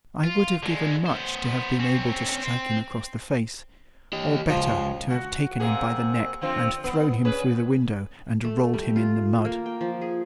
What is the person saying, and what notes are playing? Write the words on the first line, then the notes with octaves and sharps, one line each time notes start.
I would have given much to have been able to strike him across the face,--or, better, to have taken him by the neck, and thrown him through the window, and rolled him in the mud.
F4
D3 G#3
B3 C5
C4 C#4
C4
G4 D#5
C#2 F3
F#4
C3 A#3 G#4
D3 F3 C4
B3
C#4 G#4 B4
A3
G3
F4
A#3
G5
F3
G#4